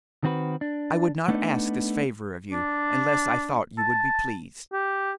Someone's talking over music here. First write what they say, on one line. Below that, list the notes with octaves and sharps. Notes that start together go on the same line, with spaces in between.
I would not ask this favour of you unless I thought you would be pleased.'
D#3 C4 F#4 B4
D4
A3 B3 D4 D#4
D4
A5
G4